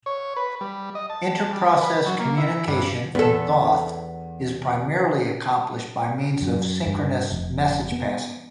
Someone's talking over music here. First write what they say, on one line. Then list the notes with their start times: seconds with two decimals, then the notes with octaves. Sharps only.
Inter Process Communication in Thoth is primarily accomplished by means of synchronous message passing.
0.06 C#5
0.37 B4
0.61 G3
0.95 D#5
1.10 A5
1.53 G3
1.81 B4
2.06 F#3
2.20 A#3
2.38 E4
2.67 G2
3.15 E2 B3 A4
6.42 F#2
6.87 G2
7.32 F1
7.92 B3